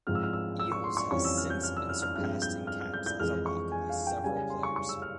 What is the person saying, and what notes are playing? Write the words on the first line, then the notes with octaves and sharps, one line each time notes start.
Eales has since been surpassed in caps as a lock by several players.
G#2 F3 G#3 C4 F6
E6
F6
E6
E6
C#6
C6
C#6
F2 E3 G3 C#4 C#6
E6
F6
G6
F6
E6
F6
F6
G2 F3 G#3 C4 F6
G6
F6
F6
G6
G6
F2 E3 G#3 F6
C#6
G#5
F5
G5
C#3 G3 C#4 G#5
G#5
C6
C#6
C#6
E6
F6